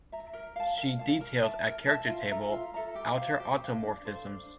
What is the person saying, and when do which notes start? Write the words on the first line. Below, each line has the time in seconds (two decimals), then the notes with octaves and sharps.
See details at character table: outer automorphisms.
0.12 E5 A#5
0.33 A#4
0.56 F5 A5
0.77 A#4
0.99 F5 A5
1.21 A#4
1.43 E5 A5
1.65 A#4
1.87 E5 A5
2.08 F4
2.30 A4 E5 A#5
2.52 F4
2.74 A4 E5 A#5
2.95 G4
3.17 C5 F5
3.40 G4
3.61 C5 F5
3.83 D4
4.05 A4 C5 F5
4.27 D4